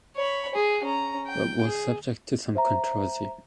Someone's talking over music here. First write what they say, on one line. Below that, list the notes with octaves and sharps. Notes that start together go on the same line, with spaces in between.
But was subject to some controversy.
C#5 B5
G#4
C#4 A#5
G5
G#4
C5 E5 A#5